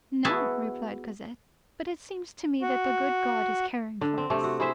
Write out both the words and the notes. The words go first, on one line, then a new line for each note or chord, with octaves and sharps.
"No," replied Cosette, "but it seems to me that the good God is caring for us."
B3 E4 F#4 G#4 E5 A5
F#4
D3
C4
C3 A3
F#4
E4 G#4 C5 E5